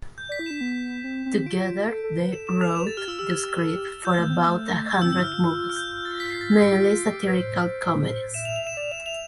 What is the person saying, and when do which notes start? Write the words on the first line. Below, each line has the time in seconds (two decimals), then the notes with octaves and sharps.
Together, they wrote the script for about a hundred movies, mainly satirical comedies.
0.18 G6
0.29 D5 B6
0.39 E4
0.46 D4 E7
0.61 B3
1.04 C4
1.26 C4
1.46 F4 D7
1.89 A4
2.03 A4
2.18 B4
2.32 A4 E7
2.47 E7
2.61 F7
2.75 B4 E7
2.86 A4 A6
2.97 G4 F6
3.08 F4 E6
3.19 G4 E6
3.62 A4
3.76 G4
4.04 F4 G6
4.19 A3
4.30 C4
4.33 B3
4.48 A3
4.90 G6
5.02 E6
5.05 C4
5.12 E6
5.19 E4 F6
5.34 F4
5.69 F6
5.76 G6
5.91 G6
6.05 A6
6.20 B6
6.31 C7
6.41 A6
6.52 A6
6.62 G4 D7
6.72 E4
6.77 F4
6.91 F4
7.05 G4
7.27 B4
7.38 C5
8.34 E5 E7
8.45 F7
8.56 F7
8.65 E5 E7
8.77 D5 E7
8.92 E5 E7
9.06 E5 F7